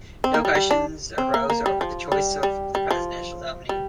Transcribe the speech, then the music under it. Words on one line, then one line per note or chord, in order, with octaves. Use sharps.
No questions arose over the choice of the presidential nominee.
C4
A#3
G3
G3
D4
C4
A#3
A#3
G3
F3
G3
G3
G3
F3
G3